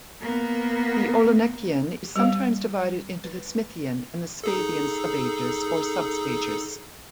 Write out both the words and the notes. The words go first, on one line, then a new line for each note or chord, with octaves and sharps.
The Olenekian is sometimes divided into the Smithian and the Spathian subages or substages.
A#3 B3
G3 G4 C5 F5
B4
D#4 G#4 A4